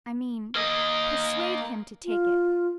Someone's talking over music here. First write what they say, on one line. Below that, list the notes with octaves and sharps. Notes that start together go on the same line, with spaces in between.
I mean, persuade him to take it....
A#3 D#5
F4